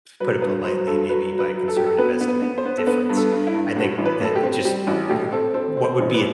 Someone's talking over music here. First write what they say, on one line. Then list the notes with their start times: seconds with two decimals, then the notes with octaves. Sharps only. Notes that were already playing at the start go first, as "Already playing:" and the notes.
to put it politely, maybe by conservative estimate, difference, I think that it just w what would be a
0.20 F#3 B4
0.42 G2 B4
0.64 F#3 C5
0.87 G2 A4
1.09 F#3 B4
1.32 F#3
1.39 B4
1.54 F#3
1.68 A4
1.76 F#3 G4
1.87 A4
1.98 B3 B4
2.21 B3
2.28 B4
2.42 B3
2.58 C5
2.65 B3
2.78 A4
2.87 B3 B4
3.10 G2
3.17 A4
3.32 G2
3.47 E4
3.54 G2
3.76 A2 F#4
3.98 A1
4.05 B4
4.21 A2 A4
4.35 G4
4.43 C4
4.65 G3 G4
4.87 A1 F#4
5.09 A2 G4
5.32 C4 A4
5.54 C4 A4
5.77 C4
5.84 C5
5.99 A1
6.14 B4